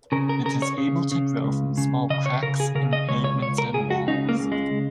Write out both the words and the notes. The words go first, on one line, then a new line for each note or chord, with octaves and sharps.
It is able to grow from small cracks in pavements and walls.
C#3 A#4
A#4
C#3 A#4
C#5
C#3
C#3
C#2
C#3
C#3 D#5
C#5
C#3 A#4
G#4
C#3 A#4
D#5
C#2 C#5
C#5
C#2 C#5
A#4
C#2 G#4
F#4
C#3 D#4
A#3
C#2
G#3